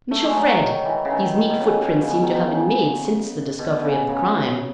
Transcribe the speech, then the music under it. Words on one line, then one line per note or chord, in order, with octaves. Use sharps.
"Monsieur Fred, these neat footprints seem to have been made since the discovery of the crime."
A3
G#3
F#3
F#3
D#3
E3
C#3
D#3
B2
C#3
B2
C#3
B2
D#3
D#3
C#3
C#3
B2
C#3
C#3